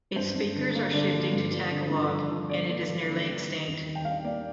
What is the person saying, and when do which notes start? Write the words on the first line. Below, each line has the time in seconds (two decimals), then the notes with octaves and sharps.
Its speakers are shifting to Tagalog, and it is nearly extinct.
0.16 G2 C5
0.35 G2
0.55 D3
0.75 A#3
0.93 D3 D5
1.13 F3
1.33 G2
1.52 F3
1.72 D3
1.91 G2
2.11 F3
2.30 F3
2.50 D3 D5
2.69 A#3
2.88 F3
3.09 D3
3.27 G3
3.48 D#3
3.67 D#2
3.86 D#3
3.95 G5
4.05 G3 F5
4.24 A#3 D5